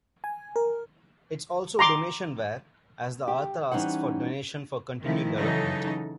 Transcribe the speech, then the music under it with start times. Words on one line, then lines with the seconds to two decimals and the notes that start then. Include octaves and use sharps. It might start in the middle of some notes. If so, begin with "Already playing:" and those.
It is also Donationware, as the author asks for donations for continued development.
0.24 G#5
0.56 A#4
1.79 A#5 C6 D6
3.28 G4
3.72 E3 G3 C#4 D#4 C5 F#5
5.02 D#3 F3 A3 E4
5.38 C#3 E3 F#3 D#4 A4